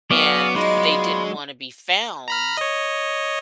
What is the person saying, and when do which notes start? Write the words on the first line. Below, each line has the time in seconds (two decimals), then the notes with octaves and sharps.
and they didn't wanna be found,
0.11 F#3 B3 G#4 C#5 D5 F5
0.55 G#3 B3 D#4 F4
2.28 A#5 B5 F6
2.57 C#5 D#5